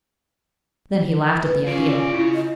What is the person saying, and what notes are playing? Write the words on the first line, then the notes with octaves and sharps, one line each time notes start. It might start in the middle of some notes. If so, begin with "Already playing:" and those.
Then he laughed at the idea.
B4
C#4 F4 G#4 D5
C#3 E4
D#5